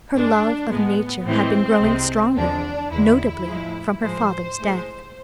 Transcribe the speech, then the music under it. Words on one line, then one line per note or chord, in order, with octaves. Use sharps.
Her love of nature had been growing stronger, notably, from her father's death.
G#2 G#3 D4
A2 G#3 B3
A2 E3 G#3 C4
C2 C3 G#3
E2 D3 F3 G#3 D4
E2 D3 G#3 E4
A2 F3 G#3
A2 F3 G#3 C5
A2 G#3